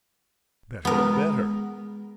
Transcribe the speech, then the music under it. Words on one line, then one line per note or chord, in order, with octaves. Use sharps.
Better and better.
G#3 B3 A#4